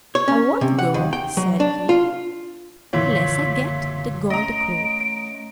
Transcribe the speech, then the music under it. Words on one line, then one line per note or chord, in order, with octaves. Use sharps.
'I won't go,' said he, 'unless I get the gold cloak.'
C#5
C#4
C3
F#5
D#2
G5
F#3
D4
F4
F#1 A#2 D3 E3 F3 C#5 C6 B6
A3 C#4 D#5 A#5 D7